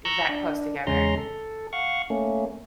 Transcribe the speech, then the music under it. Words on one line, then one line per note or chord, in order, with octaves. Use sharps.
that close together.
A#5 C#6 E6 F#6 G6
D4
E2 C#3 G#3 C#4 A#5 C6
A4
F5 F#5 C#6
A3 A#3 C#4